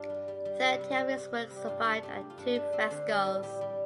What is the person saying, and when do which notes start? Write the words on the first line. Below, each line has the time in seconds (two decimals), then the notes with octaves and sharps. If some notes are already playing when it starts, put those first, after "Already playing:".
Thirteen of his works survived and two frescos.
Already playing: G2 D4 F4 G4
0.10 G3
0.28 G3
0.45 G3
0.63 C3
0.81 G3
0.97 C3
1.16 C3
1.33 C3
1.50 G3
1.56 G4
1.68 G2 F4
1.85 G2
2.03 A3 G4
2.21 G2
2.30 F4
2.38 G2 D4
2.55 A3 D4
2.72 A3 C4
2.90 D3 C5
3.08 G3 A4
3.25 A2
3.43 G3 G4
3.61 G3